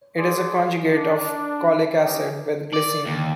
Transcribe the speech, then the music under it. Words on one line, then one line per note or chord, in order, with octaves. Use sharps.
It is a conjugate of cholic acid with glycine.
G#4 D5 C6
D4
C#4 D#4 G4
D5
D#2